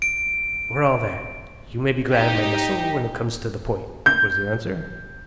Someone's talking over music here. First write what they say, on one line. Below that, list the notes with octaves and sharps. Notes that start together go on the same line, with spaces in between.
"For all that, you may be glad of my muscle when it comes to the point," was the answer.
D7
D#4 G4
G6